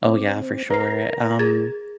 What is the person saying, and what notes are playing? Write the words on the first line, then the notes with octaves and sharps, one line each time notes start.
Oh, yeah, for sure. Um,
C4 D6
A#4 B4 A#5 C7
G#4 G#6 A6